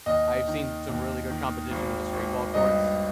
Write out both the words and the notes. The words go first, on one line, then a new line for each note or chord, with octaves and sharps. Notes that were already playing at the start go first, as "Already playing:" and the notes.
I've seen some really good competition in the street ball courts.
D#2 D#5
D#3
D#2
D#3
G#1
G#1
G2 D#5